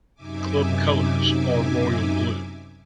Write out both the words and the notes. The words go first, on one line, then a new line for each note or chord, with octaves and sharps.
Club colours are royal blue.
F#2 C3 D#4 E5 G#5 D6